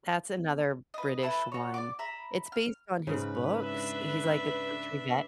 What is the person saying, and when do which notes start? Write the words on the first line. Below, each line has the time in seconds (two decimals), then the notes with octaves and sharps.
That's another British one, it's based on his books, he's, like, a country vet.
0.94 B4 D#5
1.22 E4 A4 B4 E6
1.52 F#4 C#5
1.74 D5 D6
1.99 E5 A#5 B5
2.52 F6
3.07 G#2 C#3 B4
3.64 D4 E5